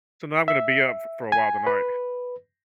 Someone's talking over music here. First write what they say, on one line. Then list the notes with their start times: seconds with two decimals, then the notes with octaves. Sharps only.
so now I'm gonna be up f for a while tonight
0.48 E5
1.32 G#5
1.67 B4